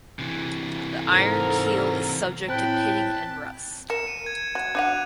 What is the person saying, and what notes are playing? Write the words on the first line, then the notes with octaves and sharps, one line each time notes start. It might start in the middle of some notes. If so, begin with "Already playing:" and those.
The iron keel is subject to pitting and rust.
C3 E3
G#2 A4 A#4
A2 C4 G5 A5 B5 F#6
A#4 C#7 E7
D#7
G#6
F#4 G#6
D4 F#4 F#5 F#6 D#7 F7